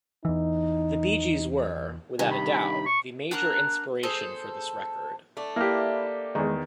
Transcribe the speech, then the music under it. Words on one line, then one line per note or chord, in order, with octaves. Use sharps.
The Bee Gees were, without a doubt, the major inspiration for this record.
E2 E3 D#4
G2 C3 D#3 G#5
B5
C#6
D4 F#4 A#4 F#6
G#4 A4 C5
A3 D4
A#3 E4 G4
E2 D#3 G#3